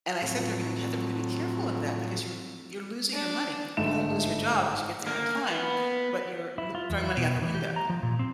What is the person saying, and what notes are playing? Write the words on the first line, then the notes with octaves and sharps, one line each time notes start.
And I said to her, "You know, you have to really be careful of that because you're lo you're losing your money. You won't lose your job, 'cause you get there on time, but you're lo throwing money out the window."
F2 A2 F#3
D4
G1 G#2 A3 E7
A#3
B3
E4
F4
E2
E4
B2
E3
G4
A#5
F3
A#2
C4